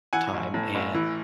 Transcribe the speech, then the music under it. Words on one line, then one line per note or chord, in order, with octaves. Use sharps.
time, and
E3 F#5 G#5
A1
A2
A1
E3